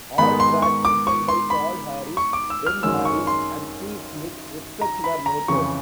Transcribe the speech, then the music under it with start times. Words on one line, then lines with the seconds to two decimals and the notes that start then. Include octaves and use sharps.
All tracks written by Paul Harris, Ben Harris, and Steve Smith, except where noted.
0.18 G#2 D#3 G#3 B3 D#4 B5
0.40 C6
0.62 C#6
0.85 D6
1.07 C#6
1.28 C6
1.50 B5
2.17 C#6
2.33 D6
2.50 E6
2.67 F6
2.83 G#1 F#2 D#3 G#3 C#4 E6
3.05 C#6
3.27 C6
4.81 A#5
5.04 B5
5.26 A#5
5.48 F2 C#3 E3 C#6